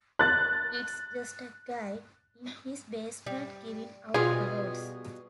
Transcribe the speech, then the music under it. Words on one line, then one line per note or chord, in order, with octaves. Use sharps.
It's just a guy in his basement giving out awards.
F#6 A6
G3
B2 G3 F4 G#4